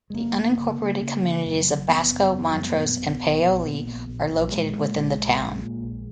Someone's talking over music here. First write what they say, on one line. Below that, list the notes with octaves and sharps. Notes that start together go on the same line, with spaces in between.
The unincorporated communities of Basco, Montrose, and Paoli are located within the town.
G#3
F#1 A#3
C#3
C#3
C#3
C#3
C#3
F#2
F#1
F#1 B3
F#2
F#2
F#3
F#2
G#3
A#3
A#2 B3
A#1
A#1
A#1
A#2
A#1
A#1
A#1
F#3
A#2 G#3
A#2
A#1
A#1
A#1
A#2
A#1